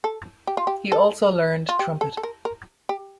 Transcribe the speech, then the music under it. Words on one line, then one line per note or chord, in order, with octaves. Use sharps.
He also learned trumpet.
A4
G4
F4
G4
A4
F4
G4
A4
A4
A#4
A#4
G4